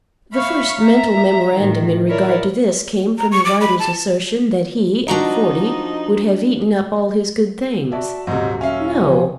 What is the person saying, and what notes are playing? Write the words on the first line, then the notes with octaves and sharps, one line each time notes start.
The first mental memorandum in regard to this came from the writer's assertion that he at forty would have eaten up all his good things. No!
C#5 E5 F5 B5 C#6
E5 A#5
A2 D#3
E4 A#4 C#5 D5
A#5
C#6
D6
B5
A5
F3 D4 D#4 F#4 A#5
F#4 D5 E5 A5
D#1 G#2 C3 F#3 D#5
C#4 E5 F5 G#5
C3 F3